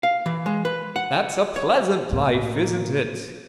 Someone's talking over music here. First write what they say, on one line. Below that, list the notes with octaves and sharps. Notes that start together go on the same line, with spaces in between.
'That's a pleasant life, isn't it?
F5
E3
G#3
B4
F#5
C#5
A2 A#3